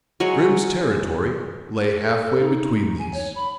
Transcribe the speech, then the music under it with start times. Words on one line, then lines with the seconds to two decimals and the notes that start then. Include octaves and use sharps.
Grim's territory lay half-way between these.
0.20 F#3 G#3 C#5
2.03 A4
2.24 A4
2.41 D#4
2.99 G#5
3.14 C#5
3.35 B5